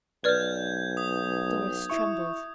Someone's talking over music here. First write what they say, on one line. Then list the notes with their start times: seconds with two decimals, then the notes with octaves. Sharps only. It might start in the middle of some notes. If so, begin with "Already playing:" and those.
Doris trembled.
0.24 B1 B4 D5 F6 G6 G#6
0.97 D#6
1.90 E4 E5 C#6